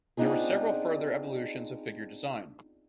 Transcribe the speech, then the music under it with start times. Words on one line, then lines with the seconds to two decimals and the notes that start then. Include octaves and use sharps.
There were several further evolutions of figure design.
0.17 B3 C4 D4 D#4 F4 G#4